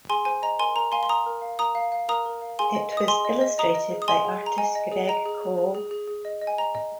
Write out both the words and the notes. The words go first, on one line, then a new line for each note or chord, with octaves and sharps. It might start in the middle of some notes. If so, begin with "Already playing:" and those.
It was illustrated by artist Greg Call.
G#4 G#5 C6
C5 G#5
D#5 A#5
A#4 G#5 C6
A#4 A#5
F5 G#5 C6
C6
F5 A#5 D#6
A#4
F5
A#4 A#5 D#6
F5
F5
A#4 A#5 D#6
A#4
F5
G#4 G#5 C6
D#5
D#5 D#6
G#4 G#5 C6
D#5
D#5
D#5 A#5 D#6
D#5
G#4
D#6
D#5 G#5 C6
G#4
G#4 A#5
D#5 G#5
D#5
G#4
D#5 A#5
G#4
G#4
G#4
G#4
G#4
G#4
D#5
D#5
G#5
D#5 A#5
D#5